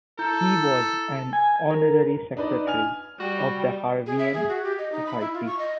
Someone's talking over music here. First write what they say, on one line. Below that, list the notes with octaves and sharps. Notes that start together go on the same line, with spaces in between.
He was an honorary secretary of the Harveian Society.
E4 A4 A#5 G6
G#5
A#4
D4 D#4 B4 D5 D#5
G#5 F6 F7
G3 F#4
G#4
E5
G#4
F#4
G4
D#5
D#4
B5
E4
F4
C#6
D#5